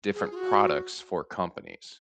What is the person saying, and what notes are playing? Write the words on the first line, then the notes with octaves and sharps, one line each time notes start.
different products for companies,
G#4
F4
F#4